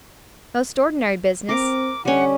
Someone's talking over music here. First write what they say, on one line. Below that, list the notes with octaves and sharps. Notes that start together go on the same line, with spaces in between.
Most ordinary business.
C4 A#4 D6
D3 G3 C#4 F#5